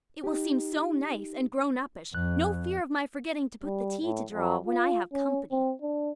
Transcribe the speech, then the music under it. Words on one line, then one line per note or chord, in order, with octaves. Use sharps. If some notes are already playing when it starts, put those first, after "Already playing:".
It will seem so nice and grown-uppish. No fear of my forgetting to put the tea to draw when I have company.
D#4 G4
F2 F#6
G3
A2
F2
F4
C#4
C4
D4